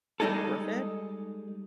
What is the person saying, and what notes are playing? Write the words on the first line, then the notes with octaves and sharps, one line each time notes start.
worth it?
G3 G#3 D#4 G#4 A4